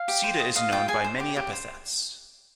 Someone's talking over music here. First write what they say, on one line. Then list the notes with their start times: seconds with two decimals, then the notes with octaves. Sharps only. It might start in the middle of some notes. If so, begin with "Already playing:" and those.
Sita is known by many epithets.
Already playing: F5
0.08 G4
0.24 C5
0.39 D#5
0.56 D#5 F5
0.72 F4 G5
0.88 G#4 G#5
1.04 C5
1.20 G4
1.36 G4
1.53 C5